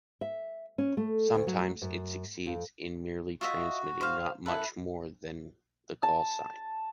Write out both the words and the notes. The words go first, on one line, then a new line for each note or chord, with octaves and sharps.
Sometimes it succeeds in merely transmitting not much more than the call sign.
E5
C#4
A3
D2
F#3
F#2
F2
F4 F#4 D#5 E5
C5 F5
F#2 E4 A4 B4 F#6
A5